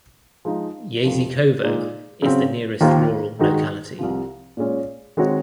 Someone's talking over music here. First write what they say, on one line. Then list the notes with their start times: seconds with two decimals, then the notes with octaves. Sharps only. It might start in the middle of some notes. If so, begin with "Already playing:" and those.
Yazykovo is the nearest rural locality.
0.45 F3 G#3 D#4
1.05 F2 C3 F3
1.63 A#2 G#3 D#4
2.22 C#3 F#3 C4
2.81 D#2 D#3 A#3 F4 C5
3.39 G#2 D#3 G#3 D#4 F#4
3.99 C2 C3 F3
4.57 A#2 G#3 C#4
5.17 D#3 G#3 C4 F#4 C#5